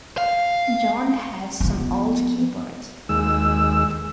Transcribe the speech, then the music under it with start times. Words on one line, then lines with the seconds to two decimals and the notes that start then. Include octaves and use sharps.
Jon has some old keyboards.
0.18 F5
1.60 F3 B3
3.09 D#2 G#3 E6